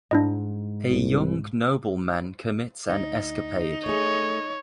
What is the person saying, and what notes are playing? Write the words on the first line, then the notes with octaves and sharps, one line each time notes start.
A young nobleman commits an escapade.
G#2 D4 E4 D#5
C2
D2 D#4
A3 G#4 C#5